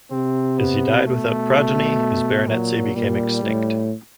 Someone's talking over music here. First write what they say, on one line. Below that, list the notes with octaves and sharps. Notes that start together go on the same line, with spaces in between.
As he died without progeny his baronetcy became extinct.
C3 C4
B3
B2 A3
A#2 F#3
A#2 G3
A2